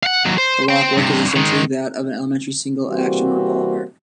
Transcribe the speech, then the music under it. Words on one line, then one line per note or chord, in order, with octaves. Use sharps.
The lockwork is essentially that of an elementary single action revolver.
F5 F#5
D#2 F#3
C5
C5 G5
G2 C3
D#3 G#3
C3 E3 G3 A#3 C4 F#4